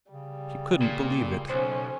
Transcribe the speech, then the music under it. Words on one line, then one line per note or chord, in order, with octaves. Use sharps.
She couldn't believe it.
C#3 G3
A#2
B1 C#4 C5